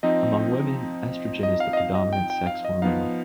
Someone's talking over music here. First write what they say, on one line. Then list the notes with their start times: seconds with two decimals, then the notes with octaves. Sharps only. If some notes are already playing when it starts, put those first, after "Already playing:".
Among women, estrogen is the predominant sex hormone.
0.03 F3 C4 D#4 D#5
1.43 D#5
1.60 F5
1.73 D#5
1.77 F5
1.95 D#5
2.13 G5
2.30 G5
2.47 F5
2.65 D#5
2.82 F3 B3 D#4 F5